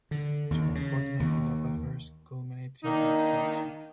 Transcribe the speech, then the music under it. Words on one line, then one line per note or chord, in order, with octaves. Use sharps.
Two unfortunate love affairs culminates into destruction.
D3
D#2
C#3
D#2
D#3 A#3 D4 D#4